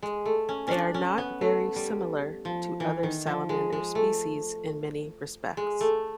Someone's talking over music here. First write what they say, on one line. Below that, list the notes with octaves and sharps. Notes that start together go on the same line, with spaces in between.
They are not very similar to other salamander species in many respects.
G#3
A3
C#4
C#4 D4
C#4
B3
A3
G3
F3
E3
D#3
F3
G#3
G#3
A3
G#3
A3